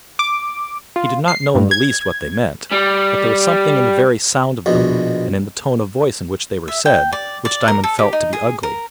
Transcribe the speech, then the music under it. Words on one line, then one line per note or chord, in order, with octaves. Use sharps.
He did not know in the least what they meant, but there was something in the very sound of them, and in the tone of voice in which they were said, which Diamond felt to be ugly.
D6
F4
C7
G2
G#6
G3
A#1 B2
E5
G5
D5
D5
A#4
A4
G4
D#4
G#4
A#4